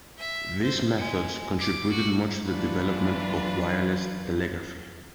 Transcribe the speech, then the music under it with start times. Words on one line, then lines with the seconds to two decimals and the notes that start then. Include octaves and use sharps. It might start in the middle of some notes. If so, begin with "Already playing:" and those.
These methods contributed much to the development of wireless telegraphy.
0.18 E5
0.63 C5
0.97 G#3
1.59 D6
1.90 F#4
2.47 E3 F#3 D4 F4 B4